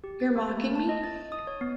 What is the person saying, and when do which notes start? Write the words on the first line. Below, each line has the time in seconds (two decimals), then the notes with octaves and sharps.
You’re mocking me?
0.04 G4
0.20 A6
0.36 A#3
0.57 A3
0.75 A5
0.89 D#5
1.04 A6
1.32 D#6
1.47 C#5
1.61 B3